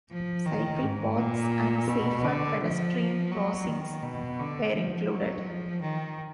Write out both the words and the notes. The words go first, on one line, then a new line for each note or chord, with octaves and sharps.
Cycle paths and safer pedestrian crossings were included.
F3
D#3
G#2
A#2
B2
D3
F3
F#3
D#3
B2
D3
F3
F#3
F3
D#3